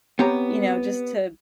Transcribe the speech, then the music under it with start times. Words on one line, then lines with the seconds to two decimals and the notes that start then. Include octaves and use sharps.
You know, just to
0.19 B3 C4 G4 C#5 A#5